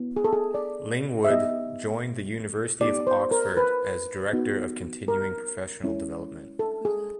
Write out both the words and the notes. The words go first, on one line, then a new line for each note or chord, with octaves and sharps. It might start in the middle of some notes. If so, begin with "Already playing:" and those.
Lingwood joined the University of Oxford as Director of Continuing Professional Development.
Already playing: B3 E4
G#4
A4
G#4
D5
E5
B3 D#4 G4 D#5
B3 D#4 G4 D5
C5
A#4
B4
B3 D#4 F#4
A#4
G#3 C#4 E4
A4
G#4